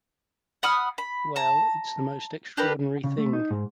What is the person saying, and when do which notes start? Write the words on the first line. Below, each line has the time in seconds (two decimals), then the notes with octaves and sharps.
Well, it's the most extraordinary thing.
0.63 F#5 B5 D#6 F6
0.98 B5
1.36 A5 A#5
2.57 D4 G4 A#4 B4
3.04 C#3
3.18 A3
3.33 D#4
3.51 G#2